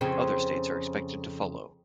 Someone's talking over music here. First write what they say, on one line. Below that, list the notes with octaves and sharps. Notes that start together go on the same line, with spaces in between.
Other states are expected to follow.
F2 C#3 C4